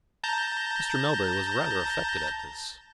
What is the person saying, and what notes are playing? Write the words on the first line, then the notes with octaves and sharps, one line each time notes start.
Mr. Melbury was rather affected at this.
A5 A#5 G6